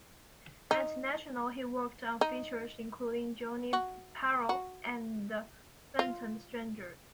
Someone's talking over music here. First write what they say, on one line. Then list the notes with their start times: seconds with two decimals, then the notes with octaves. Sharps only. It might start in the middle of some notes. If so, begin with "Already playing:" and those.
At National, he worked on features including "Johnny Peril" and "The Phantom Stranger".
0.71 D#4
2.21 D#4
3.73 F#4
4.49 F#4
5.99 F4